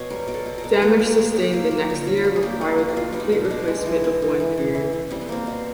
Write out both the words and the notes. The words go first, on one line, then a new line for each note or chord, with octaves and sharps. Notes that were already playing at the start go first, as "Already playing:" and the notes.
Damage sustained the next year required the complete replacement of one pier.
Already playing: B2 C#5
G3 A#4
B2 A#4
A4
B2
A#4
B2
A4
A#3 A#4
A#3 A#4
A#3 G#4
F#3 G4
A#3 F4
A#3 G4
F#4
D3 F#4
F4
F#3
F4
G3 F#4
G#4
A#3 G4
A#3 G#4
A#3 F#4
F#4
B2 F4
G3 D4
D#4
B2
D4
B2
G#3
E3
B3
E3
E3
E3
E3
E3
G3 C4
B3
A#3 C4
B2